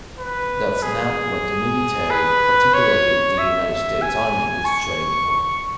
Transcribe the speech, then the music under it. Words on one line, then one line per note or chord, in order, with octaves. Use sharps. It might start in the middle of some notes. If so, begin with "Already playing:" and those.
That's not what the military, particularly the United States Army, is trained for.
B4
G#4
B4
C#5
E5
G#5
C#6
C#6